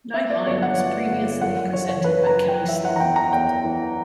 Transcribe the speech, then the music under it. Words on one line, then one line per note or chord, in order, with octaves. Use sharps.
"Nightline" was previously presented by Kellie Sloane.
B3 E5
D5
G1 C#5
F#5
B3
G1
F#2 F#5
C#3 C#5
C#5
C#3 B4
A#5
F#2
G5
E3 E5
F#5
A#5
E2 G5
A#5
E2 G5
E3